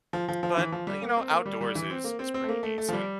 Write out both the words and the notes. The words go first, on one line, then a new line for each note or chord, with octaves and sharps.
but, uh, you know, outdoors is is pretty decent.
F3
F3
F3
E3
F3
G3
A#3
C4
A#3
G3
G3
E3
C4
A#3
C4
C4
A3
A#3
A3
A3
F3
G3